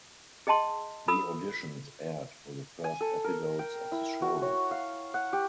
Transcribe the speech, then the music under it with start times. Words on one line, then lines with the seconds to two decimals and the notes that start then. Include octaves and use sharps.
The auditions aired for the first episodes of the show.
0.47 G#4 D#5 G5 A5 C6
1.08 F4 A4 B5 D#6 E6
2.84 G#5
3.01 A4
3.24 A#4
3.59 G5
3.92 E4
4.22 F#4
4.42 C#5
4.71 F5
5.14 F#5
5.33 G4